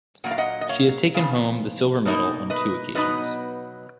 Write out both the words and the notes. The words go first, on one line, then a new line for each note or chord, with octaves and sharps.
She has taken home the silver medal on two occasions.
A#2 F#3 A#3 F#5
F5
D#5 F#5
D#5
C#5 F5
C#3 F3 B3 F5
B2 A#3 D#4
B4 D#5
B2 F#3 B3 D#4 B4 D#5